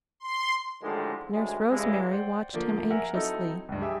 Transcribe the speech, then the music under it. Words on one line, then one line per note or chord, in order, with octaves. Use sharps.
Nurse Rosemary watched him anxiously.
C6
A2 D3 D#3 F3 G3 G#3
A1 D2 A2 G#3
G2 C#3 E3 G#3
C5 D5 F#5 G5
D3 F3 A#3
A#4 E5 F#5 G#5 A#5 F6
F#3 C4 D#4 E4 A4
C#2 G2
G4 G#4 E5 G#5 D6 D#6